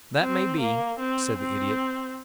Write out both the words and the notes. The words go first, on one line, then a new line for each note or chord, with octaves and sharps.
"That may be," said the Idiot.
C4
A#3
C4
C4